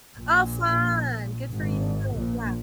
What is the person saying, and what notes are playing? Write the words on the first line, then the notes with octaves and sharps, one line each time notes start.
Oh, fun! Good for you. Yeah.
A#1 A#2
G#1 G#2
A#1 A#2